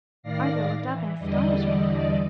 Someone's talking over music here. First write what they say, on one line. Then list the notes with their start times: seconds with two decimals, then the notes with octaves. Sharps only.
Arthur looked up in astonishment.
0.22 A2 D#3 D5 F5 A#6 C7
0.85 E3
1.19 E2 D3 E3 G3 D5 D#5